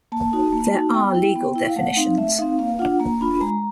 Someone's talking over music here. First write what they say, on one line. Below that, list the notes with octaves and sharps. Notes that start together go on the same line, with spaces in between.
There are legal definitions.
A#3 A5
D#4 F#4
A#3
D#4 F#4
B3 G5
E4
B3
E4
F5
A3 F#5
C4 D#4 F5
A3 E5
C4 D#4 F5
A#3 F5
D4 F4 F#5
A#3 A#5
D4 F4 B5
G#3 A#5